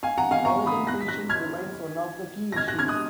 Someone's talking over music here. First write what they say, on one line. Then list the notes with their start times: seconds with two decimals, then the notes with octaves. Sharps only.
Privatization remains one of the key issues.
0.03 F5 G#5
0.18 F#5 A#5
0.31 F5 G#5
0.45 A#5 C#6
0.66 B5 D#6
0.87 F#6 A#6
1.01 B6
1.08 F#6 A#6
1.29 F6 G#6
2.52 A#6
2.56 F6 G#6
2.68 F#6 A#6
2.79 F6 G#6
2.88 D#6 F#6